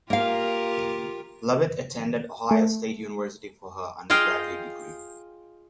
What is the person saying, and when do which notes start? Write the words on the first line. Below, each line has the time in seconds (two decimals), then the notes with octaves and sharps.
Lovett attended Ohio State University for her undergraduate degree.
0.10 A#3 F4 G4 A#4 F5
2.51 A3
4.10 F4 G#4 D#5 F5 G5